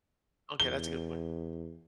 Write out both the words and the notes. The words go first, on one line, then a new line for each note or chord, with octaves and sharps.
Okay, that's a good point.
E2 G7